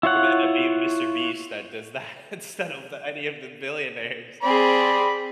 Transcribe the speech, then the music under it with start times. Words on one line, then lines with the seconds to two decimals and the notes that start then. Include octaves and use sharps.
It may end up being Mr. Beast that does that instead of the any of the billionaires.
0.03 E4 F4 C#5 F#5
4.43 C4 G#4 D5 B5